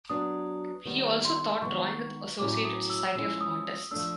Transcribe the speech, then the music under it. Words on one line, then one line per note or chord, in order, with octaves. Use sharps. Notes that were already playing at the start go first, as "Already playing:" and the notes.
He also taught drawing at the associated Society of Artists.
F#3 B3 D4 D#6
D#3 G3 B3
C6
D#3 G#3 B3 C#6
A2 F#3 A3 C#4 E4 D6
D6
D#6
E6
F3 G#3 C#4 E4 E6
D#6
F3 A3 D4 E6